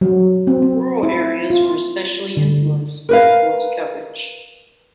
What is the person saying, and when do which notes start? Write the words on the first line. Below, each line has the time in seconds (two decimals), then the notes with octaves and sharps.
Rural areas were especially influenced by sports coverage.
0.01 F#3
0.47 C4
0.62 C4
1.03 E4
1.50 F4
2.37 D3
3.09 A#4 B4 F5